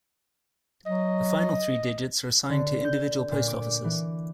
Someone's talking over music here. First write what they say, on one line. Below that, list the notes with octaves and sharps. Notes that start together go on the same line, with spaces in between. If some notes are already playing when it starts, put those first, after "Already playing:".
The final three digits are assigned to individual post offices.
F#3 D#5
D3
G6
A#2
D6
E3